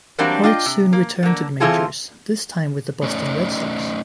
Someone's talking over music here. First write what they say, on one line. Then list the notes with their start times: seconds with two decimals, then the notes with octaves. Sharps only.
Hoyt soon returned to the majors, this time with the Boston Red Sox.
0.18 E3 F#3 G3 A#3 C4 D4
0.43 D4 F4 D#5 G5
0.66 C3
0.93 A#3
1.23 D3 A#3
1.60 E3 C4 E4 F4 G#4 A4
3.03 A3 C#4 D#4 C#5 D5